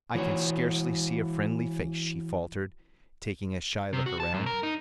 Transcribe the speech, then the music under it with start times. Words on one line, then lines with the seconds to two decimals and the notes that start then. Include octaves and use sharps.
"I can scarcely see a friendly face," she faltered, taking a shy look around.
0.15 E3 F#4 C#5
3.93 C3
4.06 F#4
4.20 A5
4.34 F#2
4.46 A#4
4.63 D#4